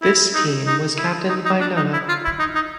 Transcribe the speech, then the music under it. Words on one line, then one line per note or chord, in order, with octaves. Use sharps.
This team was captained by Noah.
E4
D#4
D#4
E4
D#4
D#4
D4
D#4
E4
F4
E4
D#4
D#4